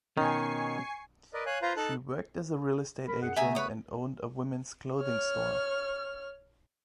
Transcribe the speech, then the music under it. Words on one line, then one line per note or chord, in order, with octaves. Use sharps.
She worked as a real estate agent and owned a women's clothing store.
B2 D#3 C#4 G#5 C#6 C7
A#4 B4 D5 D#5
C#5 F5 G#5 F#6
F4 B4 C5 F5 A#5
D#4 A4 A5 F#6
A#4 B5
F#2 G#4 F#5
C#3 A3 B3 E5 G#5 A#5
B4 C#5 D#6
C#5 F6